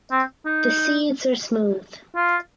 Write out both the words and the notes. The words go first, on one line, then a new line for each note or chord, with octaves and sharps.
The seeds are smooth.
C4
D#4
F4